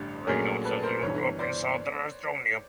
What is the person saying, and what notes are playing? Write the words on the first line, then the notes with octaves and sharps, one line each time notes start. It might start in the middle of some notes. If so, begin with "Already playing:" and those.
Rein Otsason grew up in southern Estonia.
Already playing: A1 G2 D3 G4
A#1 A#2 F#3 A3 C#4 G#4 A#4
A4 B4
A#4 C5
G1 G2 E3 B4 C#5
C5 D5